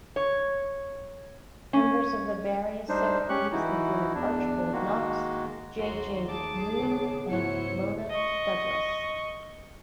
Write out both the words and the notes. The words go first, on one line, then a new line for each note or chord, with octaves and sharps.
Members of the various sub-committees included Archibald Knox, J J Kneen and Mona Douglas.
C#5
C#4
G3 D4 D#4 C5
C#4 G4 C#6 F#6
E3 D#4 E4 F#4
E2 D4
D#3 G#3 A#3 F#4
D#2 F#4 C6
A3 G#4 A5 D6
C#3 B3
G#2 A3 E4 F#4 C5 C#5 C#7
D#5 C#6